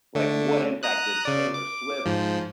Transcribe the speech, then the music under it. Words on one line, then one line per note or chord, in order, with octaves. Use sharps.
Like, what impact did Taylor Swift's,
D3 A3
A#5 D#6 F#6
C#3 D5
D6
G#2 F3